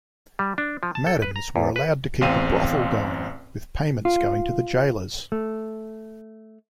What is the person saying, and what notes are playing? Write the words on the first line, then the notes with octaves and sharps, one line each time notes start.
Madams were allowed to keep a brothel going, with payments going to the gaolers.
G3
D4
F3
A5
A4
B4
A#5
E2
B4
A1 E2 C4 F5 G5 D#7
F4
A3